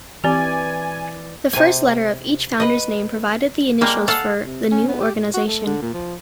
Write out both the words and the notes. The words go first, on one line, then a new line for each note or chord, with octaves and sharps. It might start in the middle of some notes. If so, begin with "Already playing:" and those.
The first letter of each founder's name provided the initials for the new organization.
E3 C4 G4 D5 G#5
C3 G#5
B4 D#5
G3 G#3 A#3
A4 F5 F#5
C3
C#4
B3
G4
A2
F#4
A3
D3
A#2
F3